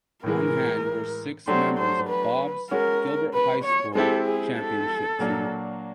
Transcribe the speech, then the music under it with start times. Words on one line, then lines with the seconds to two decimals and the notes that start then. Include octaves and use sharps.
On hand were six members of Bob's Gilbert High School championship team.
0.24 A2 E3 G#3 A#4
1.47 F#3 A3 D4 G4 C5
1.79 C5
2.09 B4
2.71 G#3 C#4 F#4 A#4
3.34 B4
3.64 C#5
3.95 G#3 C4 E4 G4 A4
4.26 G#4
4.57 A4
5.19 A#2 F#3 A#3 D4 F#4